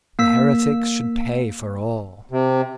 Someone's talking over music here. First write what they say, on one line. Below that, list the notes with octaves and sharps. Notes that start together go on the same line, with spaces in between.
The heretics should pay for all.
A#3 E6 B6
C3